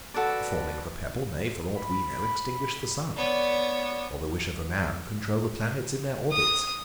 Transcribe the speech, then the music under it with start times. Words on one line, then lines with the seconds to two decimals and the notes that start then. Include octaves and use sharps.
The falling of a pebble may, for aught we know, extinguish the sun; or the wish of a man control the planets in their orbits.
0.14 F#4 A4 B4 D5
1.75 B5
3.16 B3 C#5 D5
6.33 D#6